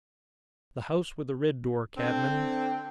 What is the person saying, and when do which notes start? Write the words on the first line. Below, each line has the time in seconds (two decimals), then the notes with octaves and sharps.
'The house with the red door, cabmin.
1.96 D3 C4